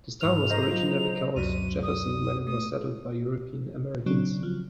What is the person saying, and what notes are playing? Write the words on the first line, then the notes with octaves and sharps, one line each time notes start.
This town was originally called Jefferson when it was settled by European Americans.
G#2 C#6 F6 F7
C5 D#5 A#5
F#3 F4
C#2 F#2 B2 F#3 D5 D#7
D#6
A3 D#6
C#3 F#3 C4 D4
F3 F#3